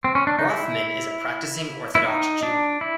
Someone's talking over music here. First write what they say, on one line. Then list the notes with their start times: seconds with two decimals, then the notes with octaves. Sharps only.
Brafman is a practicing Orthodox Jew.
0.04 C4
0.15 C#4
0.27 D4
0.39 D#4
0.50 E4
1.95 E4
2.04 D#4
2.43 D4
2.81 E4